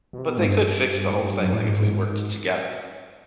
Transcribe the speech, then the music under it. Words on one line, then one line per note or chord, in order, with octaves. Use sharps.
But, they could fix the whole thing, like if we worked together,
B2
C3
B2
G#2
G2
A2
G2
F#2
A2
G#2